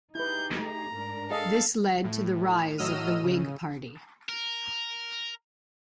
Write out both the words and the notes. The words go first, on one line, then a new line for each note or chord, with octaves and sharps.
This led to the rise of the Whig Party.
D#4 E4 G4 G#4 B4 G6
A3 A#5
G#2 D4 A#4
G#4 A4 D#5 F5
A2
A2 F#3 D#5 E6 F6 D#7
C#3
A#4